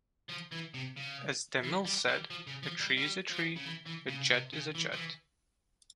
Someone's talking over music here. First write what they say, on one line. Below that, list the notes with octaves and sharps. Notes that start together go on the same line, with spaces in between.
As De Mille said, a tree is a tree, a jet is a jet.
F3
E3
C3
C#3
E3
G3
G3
F3
C#3
F3
G3
G3
F3
C#3
E3
E3
C#3
C#3
C3
C#3
E3
F3
E3